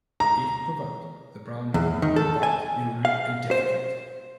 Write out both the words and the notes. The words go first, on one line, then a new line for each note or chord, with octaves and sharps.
If provoked, the brown anole will bite, urinate, and defecate.
A#5
E2
D#3
A4
G#5
F5
C5